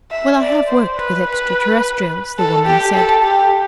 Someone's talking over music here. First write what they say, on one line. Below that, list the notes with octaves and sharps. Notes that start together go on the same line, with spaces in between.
"Well, I have worked with extraterrestrials," the woman said.
E5
D5
C5
B4
B4
A4
G4
A4
G4